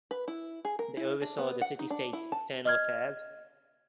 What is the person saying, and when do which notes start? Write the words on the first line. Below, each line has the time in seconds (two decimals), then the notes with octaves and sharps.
They oversaw the city state's external affairs.
0.11 B4
0.28 E4
0.65 G#4
0.79 A#4
0.97 E4
1.22 D4
1.38 B3
1.61 F#5
1.79 D#4
1.90 D4
2.13 E4
2.32 A5
2.65 D#5 F6 G#6